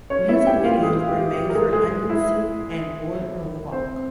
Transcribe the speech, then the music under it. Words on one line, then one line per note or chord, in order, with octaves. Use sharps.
Music videos were made for "Onion Soup" and "Boardroom Walk".
C#4 C#5
E4 E5
G4 G5
F4 F5
G#3 G#4
G4
G4
A#4
G#3 G#4
G#3 G#4
E4 E5
C4 C5